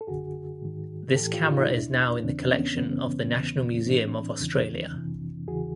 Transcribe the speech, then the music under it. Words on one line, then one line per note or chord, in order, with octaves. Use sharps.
This camera is now in the collection of the National Museum of Australia.
A4
F#2 D3 F#4 G#4
G#2 D#3
A2 E3 G4 A4
F4 G4
D#4 F4
E2 B2 D4 E4
E2 C#3 E3 C4 D4
B3 C#4
F#2 C#3 E3 B3 C#4
E2 C#3 E3
A2 E3 C4 D4
E2 C#3 E3
F2 C3 E3
E2 C#3 E3 F#4 G#4